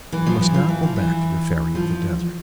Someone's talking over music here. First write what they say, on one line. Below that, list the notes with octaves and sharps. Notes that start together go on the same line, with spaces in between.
We must now go back to the Fairy of the Desert.
E3
F3
E3
F3
E3
F3
E3
F3